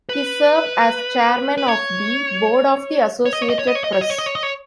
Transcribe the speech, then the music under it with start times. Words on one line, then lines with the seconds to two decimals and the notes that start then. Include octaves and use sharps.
He served as chairman of the board of the Associated Press.
0.09 B4
1.58 B4
1.67 C#5
3.25 C#5
3.33 D#5
3.42 C#5
3.50 D#5
3.59 C#5
3.67 D#5
3.75 C#5
3.84 D#5
3.92 C#5
4.01 D#5
4.10 C#5
4.19 D#5
4.26 C#5
4.35 D#5
4.43 C#5